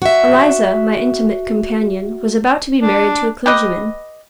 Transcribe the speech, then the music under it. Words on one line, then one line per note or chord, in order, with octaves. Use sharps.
Eliza, my intimate companion, was about to be married to a clergyman.
F#4 E5
D4
G4 B4 D#5